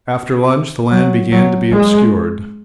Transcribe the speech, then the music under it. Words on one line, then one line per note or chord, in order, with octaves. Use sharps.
After lunch the land began to be obscured.
F#3
F#3
G#3